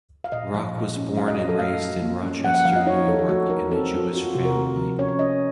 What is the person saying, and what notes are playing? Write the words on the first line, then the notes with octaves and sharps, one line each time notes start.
Rock was born and raised in Rochester, New York, in a Jewish family.
F5
A#2 D#5
F3
A#2
C#4
F#3 F5
D#5
F#3 D#5
A4
A3 F5
F#3
A#3
C#4
F3 F#5
F#5
F3 F5
D#5
D#4 C#5
F3 A4
A4
A3 F#4
D#4 A#4
C4 A4
F4
F4 F#4
F4
C3 F#4
A#4
A3
F3
C#4 C#5
C#5
C#4 D#5